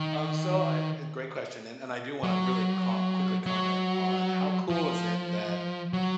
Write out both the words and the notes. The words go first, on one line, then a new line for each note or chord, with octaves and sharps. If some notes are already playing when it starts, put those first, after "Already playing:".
Um, so, I g great question, and and I do wanna really com quickly comment on how cool is it that,
Already playing: D#3
F#3
F#3
F3
F#3